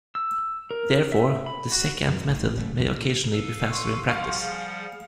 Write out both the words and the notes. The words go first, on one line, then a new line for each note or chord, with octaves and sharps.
Therefore, the secant method may occasionally be faster in practice.
E6
A#4
E5
B5
F#4
F#2 B2 D#3
A1 G#2 E3
F#1 A3
B1 F#2 D#3 E3
A#2
A4 B4 F5
C6 C#6
F3 G3 F5 F#5
G#4